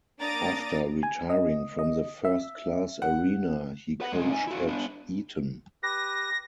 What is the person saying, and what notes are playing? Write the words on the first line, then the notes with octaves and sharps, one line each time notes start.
After retiring from the first class arena, he coached at Eton.
A#3 D4 A#5 D6 D#6 A6
G#5
D#5
D#5
E5
F#5
B4 F#5
C2 G#3
D#4 G#5
E4 F#4
B3 D4
G4 B4 A#6